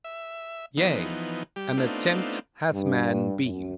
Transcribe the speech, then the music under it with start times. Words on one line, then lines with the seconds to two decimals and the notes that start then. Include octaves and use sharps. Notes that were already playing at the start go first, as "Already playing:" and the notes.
Yea, an attempt hath man been.
0.04 E5
0.77 E3 F3 B3 D#4
1.56 G3 G4
1.77 A3 B3 C4 D4 D#4 F4
2.71 G2
3.43 F#2